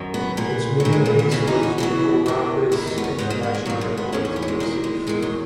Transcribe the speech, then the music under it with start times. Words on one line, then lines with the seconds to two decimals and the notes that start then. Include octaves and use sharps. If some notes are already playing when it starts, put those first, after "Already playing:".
Its main base was Guararapes International Airport, Recife.
Already playing: F#2 D#3
0.14 B3
0.37 A#2 B3
0.80 F#3
0.85 A#2
0.93 G#3
1.06 A#3
1.19 B3
1.31 E2 C#3 E3 C#4
1.48 D#4
1.63 F#4
1.78 E2 C#3 E3 F#4
2.26 E2 D#3
2.72 E2 D#3 E4
2.87 D#4
2.98 B3
3.04 C#4
3.19 G#2 D#3 B3
3.30 A#3
3.43 B3
3.55 G#3
3.66 G#2 D#3 F#3
3.81 G#3
3.98 B3
4.12 E2 D#3 C#4
4.25 C#4
4.36 B3
4.42 F#3
4.48 G#3
4.60 E2 D#3 A#3
4.84 G#3
5.07 E2 D#3 G#3
5.22 F#3